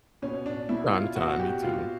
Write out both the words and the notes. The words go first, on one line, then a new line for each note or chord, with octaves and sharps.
From time to time, me too.
B2 C#4
D4
B2 E4
F4
B2 F#4
G4
B2 F4